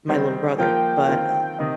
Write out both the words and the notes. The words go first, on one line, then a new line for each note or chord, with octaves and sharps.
my little brother- but, um,
D#3 G3 C4 D#4
F3 A#3 F4 A#4 G5
D#3 C4 F4 A#4
C3 D#3 D#5